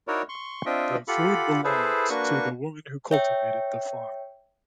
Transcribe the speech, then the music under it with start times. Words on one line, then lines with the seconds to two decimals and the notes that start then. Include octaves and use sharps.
The food belonged to the woman who cultivated the farm.
0.08 D#4 E4 F#4 A#4 C#5 D5
0.29 C6 C#6
0.66 C4 D4 F4 D#5 E5 G5
1.08 F4 G4 A4 F#5 B5
1.64 E4 G#4 A4 B4 C5
2.10 A#3 D4 F#4 B4 C#6
3.11 C#5 E5 G5